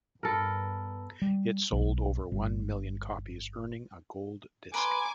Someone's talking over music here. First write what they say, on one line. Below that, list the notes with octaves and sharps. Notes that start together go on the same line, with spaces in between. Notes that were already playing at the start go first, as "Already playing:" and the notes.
It sold over one million copies, earning a gold disc.
G2 B3 A4 A#4
G3
B1
G1
B4 G#5 A#5 C6 D6 D7